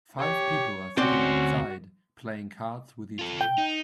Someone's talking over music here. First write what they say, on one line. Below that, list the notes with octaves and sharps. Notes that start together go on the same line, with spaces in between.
Five people are sitting outside playing cards with each other.
G4 C#5
D2 C4 C#4 F#4 D5 C6
F4 A4
G5
D#4